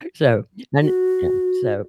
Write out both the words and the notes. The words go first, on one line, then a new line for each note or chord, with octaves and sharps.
so and Yeah, so
F#4